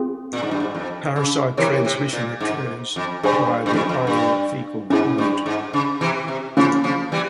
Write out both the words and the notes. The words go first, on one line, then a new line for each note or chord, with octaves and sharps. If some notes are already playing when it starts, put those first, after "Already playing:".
Parasite transmission occurs via the oral-fecal route.
Already playing: C4 F4 G#4
A#2
G#2
G2
G#2
F2
C#3
C3 E3 E4 A#4 C#5
C3
A#2
G#2
F2
G2 G#4 C5 F5 G#5
G2
F2
F2
G2
G#2 C#4 E4 G#4
G2
G#2
C#3
C3 E3
C3
C#3 F3 A#3 C#4 F4
C#3 F3
E3 G3